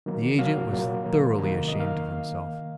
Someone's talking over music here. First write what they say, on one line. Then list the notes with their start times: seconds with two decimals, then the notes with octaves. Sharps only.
The agent was thoroughly ashamed of himself.
0.06 D#3 F#3 A#3
0.39 C3 F#3 A#3 F5
0.71 A#2 F#3 A#3
1.04 D#3 A#3
1.36 C3 D#3 F#3 A#3
1.68 D#3 A#3 D#5
1.80 F5